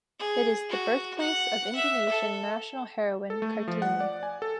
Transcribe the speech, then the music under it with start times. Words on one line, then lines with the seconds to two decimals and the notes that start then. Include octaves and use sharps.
It is the birthplace of Indonesian national heroine Kartini.
0.19 G#4
0.69 F#4
1.19 F#5
1.75 E5
2.09 A4
3.30 A4
3.42 A3
3.68 F3
3.82 F#5
4.00 D5
4.23 G#5
4.42 A4